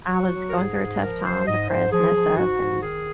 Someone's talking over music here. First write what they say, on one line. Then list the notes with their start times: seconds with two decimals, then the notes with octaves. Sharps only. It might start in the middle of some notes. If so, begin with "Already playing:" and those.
I was going through a tough time, depressed, messed up, and
0.11 F#3 F#4
0.34 F#3
0.50 A#4
0.56 G#2 G#4
0.79 G#2
1.02 F3 A#4
1.25 F3 C5
1.47 G#2 D#5
1.70 G#2 C5
1.92 F3 G#4
2.15 F3
2.37 G#2 F#4
2.60 G#2
2.82 D#3 G#4